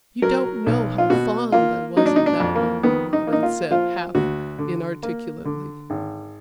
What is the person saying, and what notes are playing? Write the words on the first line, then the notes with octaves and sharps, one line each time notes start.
"You don't know how fond I was of that one," Rawdon said, half-inarticulately.
F#3 A#4
B1
F4
B2 F#4
A#3 F4
F#3 D#4
D4
D#4
D4
F2
A#3
D#3 B3
D#4
A#3
D#4
F4
F3 F4
D2 F#4
D3
A#3
D3
G#1